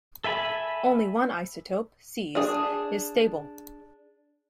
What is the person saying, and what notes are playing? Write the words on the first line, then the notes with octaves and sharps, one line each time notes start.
Only one isotope, Cs, is stable.
A4 E5 G#5 B5
D4 G#4